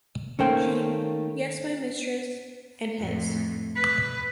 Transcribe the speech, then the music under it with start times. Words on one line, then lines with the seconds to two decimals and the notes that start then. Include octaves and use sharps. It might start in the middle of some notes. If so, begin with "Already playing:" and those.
Jean. — Yes, my mistress... and his.
0.39 D#3 A3 A#3 C#4 C5 G5
2.99 F2 A2
3.75 B4